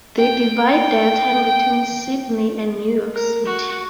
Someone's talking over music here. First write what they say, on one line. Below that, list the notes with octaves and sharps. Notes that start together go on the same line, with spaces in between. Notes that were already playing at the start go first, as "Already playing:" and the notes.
They divide their time between Sydney and New York City.
G5
G5
A#4
F#4